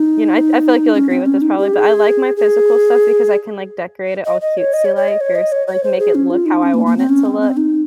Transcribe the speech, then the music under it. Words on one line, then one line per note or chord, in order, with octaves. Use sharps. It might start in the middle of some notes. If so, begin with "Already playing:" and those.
you know, I I feel like you'll agree with this probably, but I like my physical stuff, because I can, like, decorate it all cutesy like or s like, or make it look how I want it to look.
Already playing: D#4
C#4
C4
C#4
D#4
G4
G#4
G#4
D#5
D#5
C#5
D#5
C#5
C#5
D#5
C#5
D#5
C#5
C#5
C5
G#4
C#4
F4
D#4
C#4
A#3
A#3
C4
C#4
C4
C4
D#4